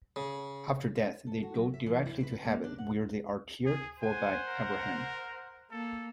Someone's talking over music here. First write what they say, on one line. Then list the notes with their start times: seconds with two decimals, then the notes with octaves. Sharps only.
After death they go directly to Heaven, where they are cared for by Abraham.
0.16 C#3
1.27 A4
1.43 F#4
1.55 F#3
1.74 E5
1.86 E3
2.06 E4
2.23 B4
2.45 A#3
2.64 D4
2.78 F#5
3.66 G#4
4.02 C5 F#5 G#5
4.47 A#4
5.71 A#3 A4